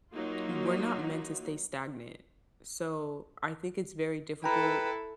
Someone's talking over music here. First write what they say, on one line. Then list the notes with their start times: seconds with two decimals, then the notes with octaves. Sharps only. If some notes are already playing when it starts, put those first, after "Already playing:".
we're not meant to stay stagnant, so I think it's very difficult
0.12 F#3 A#3 D#4 F4
4.44 E4 A4 B4 G5 A#5